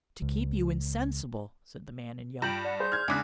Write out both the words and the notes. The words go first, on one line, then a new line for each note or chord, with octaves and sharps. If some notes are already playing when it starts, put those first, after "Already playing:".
"To keep you insensible," said the man in yellow.
C#2
G2 F4 G5 G6 F#7
D5 F#5
G#4 C5 G6
F6 G#6
E2 C#3 G#3 D4 G#5 D6 F#6 B6